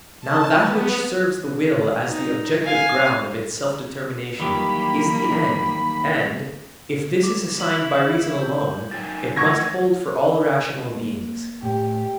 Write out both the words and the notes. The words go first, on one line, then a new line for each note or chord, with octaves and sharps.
Now that which serves the will as the objective ground of its self-determination is the end, and, if this is assigned by reason alone, it must hold for all rational beings.
A5
B3
D#4
F5 G#5
D#2 E3 F#3 G3 A#3 G4 B5
D6 E7
E4 F#7
G6
F#2 D#3 G#5 A6
F3 A3 F#5 C#6 G#6 A#6
A#3
A2 G4